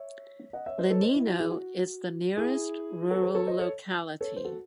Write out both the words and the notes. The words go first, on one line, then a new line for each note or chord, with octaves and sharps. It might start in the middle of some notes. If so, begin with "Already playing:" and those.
Lenino is the nearest rural locality.
Already playing: C#5 E5
D#5 F#5
C#5 E5
C5 D#5
A4 C#5
C5 D#5
E4
F#4
E4 G#4
F#4
E4 G#4
F#4 A4
G#4 C5
A4 C#5
C5 D#5
A4 C#5
A4 C#5
C5
F#4 A4